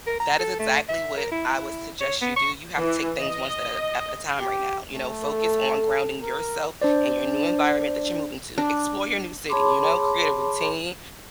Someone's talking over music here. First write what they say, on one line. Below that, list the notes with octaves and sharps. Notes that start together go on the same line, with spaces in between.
that is exactly what I would suggest you do, you have to take things one step up at a at a time right now, you know? Focus on grounding yourself and your new environment that you're moving to. Explore your new city, you know? Create a routine.
A#4
A#5
A4
A3
E5
A#4
E4
E4
C#5
B3
C#6
E3
D#5
G4
A3
A4
A#4
D4 C5 D5
D4
G#4 C#5 A5 B5 C6 D6